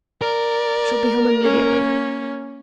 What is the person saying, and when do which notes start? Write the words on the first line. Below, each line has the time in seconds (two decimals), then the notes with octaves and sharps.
She'll be home immediately.
0.21 A#4 D5
1.42 A#3 C#4